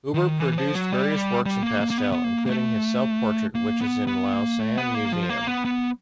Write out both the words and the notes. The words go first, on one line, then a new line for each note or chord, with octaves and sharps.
Huber produced various works in pastel, including his self-portrait which is in Lausanne museum.
D#3
E3
F3
F#3
G3
G3
A#3
A#3
A#3
B3
B3
A#3
A#3
A3
A#3
B3
B3
A#3
A3
B3
A#3
F3
A#3
B3
B3